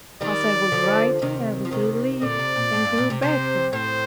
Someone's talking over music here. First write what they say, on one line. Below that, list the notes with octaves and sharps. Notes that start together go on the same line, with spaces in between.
As I was writing I was relieved and grew better.
D#3 G3 D5
D3 F3
C3 D#3
F3
C3 D#3
A#2 D3 D5
C3
A#2
A2
G2
A#2
C3
C3 C5
A2 C5